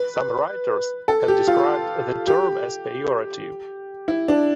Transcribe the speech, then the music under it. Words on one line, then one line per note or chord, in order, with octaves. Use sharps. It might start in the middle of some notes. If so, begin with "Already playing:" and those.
Some writers have described the term as pejorative.
Already playing: B4
A4
G4
F4
G4
E4
D4